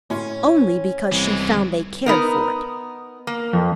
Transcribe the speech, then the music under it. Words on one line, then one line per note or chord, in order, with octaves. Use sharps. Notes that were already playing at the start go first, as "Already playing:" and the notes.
Only because she found they cared for it.
A2 C#4 E4 C6
C2 E3 G#3
B3 D#4 A#4
A#3
F2